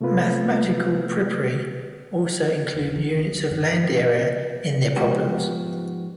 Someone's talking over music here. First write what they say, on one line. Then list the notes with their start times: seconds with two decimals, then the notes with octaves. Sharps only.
Mathematical papyri also include units of land area in their problems.
0.01 C3 A3 B3 F4 B4
2.74 E1
2.96 E3
3.18 D2
3.51 G2
4.96 G#2 F3 B3 F#4 G4